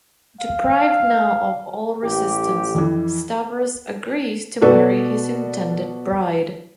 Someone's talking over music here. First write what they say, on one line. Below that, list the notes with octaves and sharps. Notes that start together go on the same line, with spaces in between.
Deprived now of all resistance, Stavros agrees to marry his intended bride.
F5
A1 G4
F2 E3
B2 F#4 A4 B4 D5